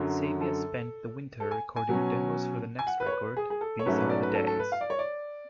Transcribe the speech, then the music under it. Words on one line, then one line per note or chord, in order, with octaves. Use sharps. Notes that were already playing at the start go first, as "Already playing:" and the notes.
Saybia spent the winter recording demo's for the next record "These are the days".
Already playing: F#2 D3 F#3
A4
A4
G#5
G#5
B2 F#3 C#4
G#5
F#5
B4
C#5
B4
B4
G#4
G#4
A4
C#5
G#2 F#3 A3 C#4 B4
B4
D5
B4
A4
A4
B4
F5
D5
C#5
D5